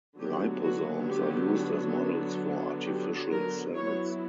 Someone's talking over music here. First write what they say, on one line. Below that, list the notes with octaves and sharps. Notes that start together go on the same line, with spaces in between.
Liposomes are used as models for artificial cells.
D3 F#3 B3 G4
F#4
G4
G4
A#4
F#3 B3 E4 C#5